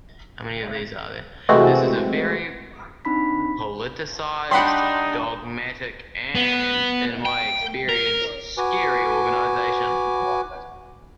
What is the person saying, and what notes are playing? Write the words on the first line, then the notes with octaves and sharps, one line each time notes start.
This is a very politicised, dogmatic, and in my experience scary organisation.
C3 E3 G#3 A3 C4 F#4
C4 D4 D#4 B5 B6
G3 D4 D#4 G4 F#5 B5 C6
B3
G5
A#4
F#4 B4 G#5 D6